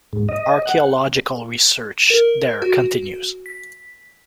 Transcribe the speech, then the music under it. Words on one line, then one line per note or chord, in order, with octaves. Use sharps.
Archaeological research there continues.
G#2
D#5
F#5
A#4
F#4
B6